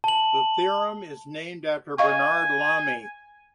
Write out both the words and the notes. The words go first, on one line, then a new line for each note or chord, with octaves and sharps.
The theorem is named after Bernard Lamy.
A5 F#7
D#5 F5 G#5 C#6